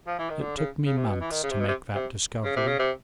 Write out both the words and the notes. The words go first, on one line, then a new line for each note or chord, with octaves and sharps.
It took me months to make that discovery.
F3
E3
D#3
D3
C#3
C#3
C3
B2
E3
D#3
C#3
C3
B2
C3
C3
C#3
C3
C#3
C3